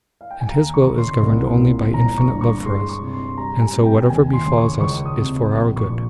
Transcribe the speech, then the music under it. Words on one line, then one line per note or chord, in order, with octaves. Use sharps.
And His will is governed only by infinite love for us, and so whatever befalls us is for our good.
F5
G5
G#5
D#2 A#5
C#6
C#3
C6
C2
A#2
G1 A#5
C#6
G2
C#6
G#3 C6
C#6
C3
C6
G3 A#5
G#5
C3
G5
D#2 G#5
C6
C#3
C#6
C#2 C#6
D#6
C3
A#1
C#6
A#2